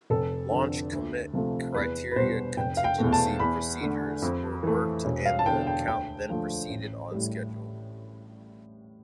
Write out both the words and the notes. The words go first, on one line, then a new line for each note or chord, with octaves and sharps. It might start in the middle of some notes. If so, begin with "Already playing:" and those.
Launch Commit Criteria contingency procedures were worked and the count then proceeded on schedule.
F1 A4
F2 D3
D2
C3 F3 A3
E2 B4
B4
B2 G3 C5
F1 G5
F5
G5
E2 B2 A3
A5
E2 B5
D3 A3
F2
E3 A3
E1
F5
A5
E2 D3 G5
G5
D2 G5
D3 F3 A3
A1
A2 G3